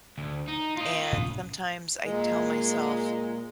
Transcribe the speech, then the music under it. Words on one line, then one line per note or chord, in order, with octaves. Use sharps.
And sometimes I tell myself,
D2
D#4
F4 D#5
A2 C#4
A#2 G#3